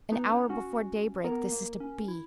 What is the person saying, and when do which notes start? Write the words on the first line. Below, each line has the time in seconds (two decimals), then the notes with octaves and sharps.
An hour before daybreak this is to be.
0.12 B3 D#4
0.30 C#4 D#4
0.49 C#4 F#4
1.24 B3 A#4
1.52 A#3
1.80 C#4
2.08 E4